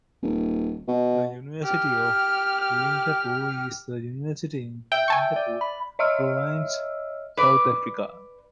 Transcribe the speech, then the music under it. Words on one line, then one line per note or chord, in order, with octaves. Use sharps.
The University of Limpopo is a university in the Limpopo Province, South Africa.
D#1
B2
G4 F6
E5 G5
G#5 A5 C#6
D5
B5
C#5 D#5 E5 E6 F6
B4 D5